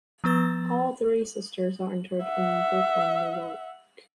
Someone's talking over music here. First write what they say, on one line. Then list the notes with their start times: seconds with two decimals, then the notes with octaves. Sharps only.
All three sisters are interred in Brooklyn, New York.
0.24 F3 B3 B4 A6
2.24 E5 F#5